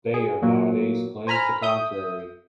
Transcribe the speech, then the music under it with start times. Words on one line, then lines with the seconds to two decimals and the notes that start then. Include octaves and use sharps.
Bayer nowadays claims the contrary.
0.14 G#4
0.42 A#2 F#3 A#3
1.27 C5 G#5 A#5 B5 F6
1.62 E5 D#6 G6